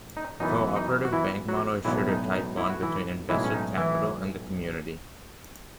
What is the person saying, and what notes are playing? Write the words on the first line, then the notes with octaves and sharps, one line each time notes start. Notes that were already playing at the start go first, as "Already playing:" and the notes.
The cooperative bank model assured a tight bond between invested capital and the community.
Already playing: A1
D#4
F#2 E3 B3 D#4
D#4
F#4
E3 E4
F#3 F#4
B1 A2 E3 G#3 B3 E4
D#4
D#4
E4
F#4
E3 E4
B1 A2 E3 G#3 E4
C#4
D#4
E3 E4